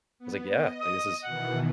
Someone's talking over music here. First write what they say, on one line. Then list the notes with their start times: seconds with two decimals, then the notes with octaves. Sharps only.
was like, "Yeah, like, this is"
0.19 B3
0.50 D#5
0.82 D#6
1.24 B2 D#3 E3 F#5